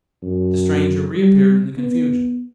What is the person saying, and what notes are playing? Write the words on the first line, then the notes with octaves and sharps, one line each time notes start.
The stranger reappeared in the confusion.
F#2
G3
B3